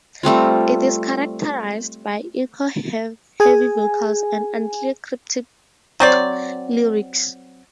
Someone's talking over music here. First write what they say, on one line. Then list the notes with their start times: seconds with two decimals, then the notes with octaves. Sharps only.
It is characterized by echo-heavy vocals and unclear cryptic lyrics.
0.23 G3 A3 C4 F4
3.40 G#4 G#5
6.00 F#3 C4 D5